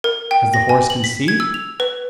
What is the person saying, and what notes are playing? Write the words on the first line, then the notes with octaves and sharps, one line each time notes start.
Has the horse conceived?
A#4
G5
A#6
G#5
F#7
B6
G#6
E6
F7
B4